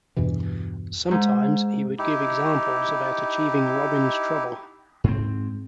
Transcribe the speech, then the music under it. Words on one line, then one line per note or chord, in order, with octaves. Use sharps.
Sometimes, he would give examples about achieving Robin's trouble.
E2 G2 B2 E3
G#2
D#4 E4 G4
G#2 C4